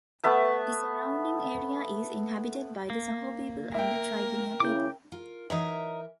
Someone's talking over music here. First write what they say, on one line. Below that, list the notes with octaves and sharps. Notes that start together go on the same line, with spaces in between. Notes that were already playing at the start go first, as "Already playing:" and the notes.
The surrounding area is inhabited by the Saho people and the Tigrinya people.
A3 B3 E5 A5
A#3
A#4 E5 G5
C#3 E4 D6 G6
F4 A#4
E3 F#3 D#4 A#4 E5